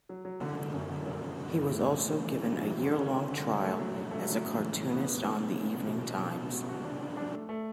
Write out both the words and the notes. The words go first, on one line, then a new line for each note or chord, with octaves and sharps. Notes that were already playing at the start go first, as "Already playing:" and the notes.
He was also given a year-long trial as a cartoonist on the "Evening Times".
F#3
F#3
D3
D3
F#2
D3
F#2
F#2
D3
F#2
A2
A3
A2
E3
A2
E3
F#3
D3
C#4
C#4
D3
C#4
A3
F#3
F#3
A3
F#3
A2
E3
A2
B3
A2
A2
B3
C#4
B2
B2
B2
B2
B2
F#4
F#4
D4
D4
D4
A3
A3